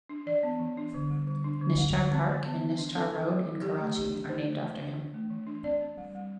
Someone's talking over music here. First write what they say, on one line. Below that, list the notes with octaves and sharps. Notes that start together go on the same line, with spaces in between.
Nishtar Park and Nishtar Road in Karachi are named after him.
D4
E3 D5
B3
E3
D4
D3
G3
D3
D4
D3
G3
D3
C4
E3 C5
B3
E3
D4
C4 A4
C4
F#3
F#3
E3 G4
A3
E3 G4
D4
E3 C5
A3
E3
D4
E3
A3
E3
D4
C4 D5
C4
G3
G3